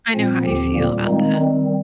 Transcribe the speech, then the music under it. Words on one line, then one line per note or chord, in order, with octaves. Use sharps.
I know how you feel about that.
A#2 F3 C4
D#2 D3 F3 C4 G4
A#2 G3 A#3
D#3 G#3 C4 D#4
D#3 G3 C4